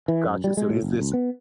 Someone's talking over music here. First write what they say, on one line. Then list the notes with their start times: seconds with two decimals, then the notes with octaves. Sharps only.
Gotcha. So is this
0.08 E3
0.24 F#2
0.44 G3
0.57 G#3
0.70 A2
0.82 F#1
1.00 C#2
1.13 B3